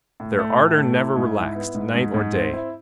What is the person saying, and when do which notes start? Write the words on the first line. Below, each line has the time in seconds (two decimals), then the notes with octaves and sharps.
But their ardor never relaxed, night or day.
0.20 A2
0.39 A3
0.59 A2
0.78 A3
0.97 E4
1.16 G#2
1.36 E4
1.55 B3
1.75 G#2
1.94 G#2
2.14 G#2
2.33 C4
2.53 E4